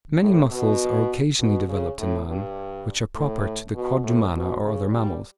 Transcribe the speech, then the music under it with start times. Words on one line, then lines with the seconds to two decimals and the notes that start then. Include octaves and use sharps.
Many muscles are occasionally developed in man, which are proper to the Quadrumana or other mammals.
0.21 A2
0.51 B2
1.39 B2
1.68 C#3
1.98 A2
2.28 G2
3.15 A2
3.74 B2
4.03 A2
4.34 B2
4.63 C#3
4.92 G3